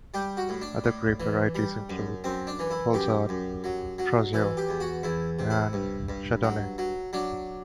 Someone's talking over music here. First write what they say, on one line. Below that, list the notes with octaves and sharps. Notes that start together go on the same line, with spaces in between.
Other grape varieties include Poulsard, Trousseau, and Chardonnay.
G3 G4
F#4
A2
D4
A2
E3
G3
F#2
F#2 C4
D4
E3
E4
F#2 G4
F#2
F#3
F#3
E3 A4
G4
E2
F#4
E2 E4
C3
E4
G2
G2
F#3
F#3
F#3 D4